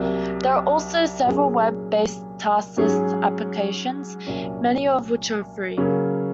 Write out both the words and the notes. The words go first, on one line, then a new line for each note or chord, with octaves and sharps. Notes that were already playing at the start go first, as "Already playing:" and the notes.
There are also several web-based task list applications, many of which are free.
Already playing: C2 C3 F#3 A#3
A#2 F#3 C#4 G#4
G#2 F#3 C#4 G#4
C2 A#2 F#3 C#4
C#3 F#3 A#3 C#4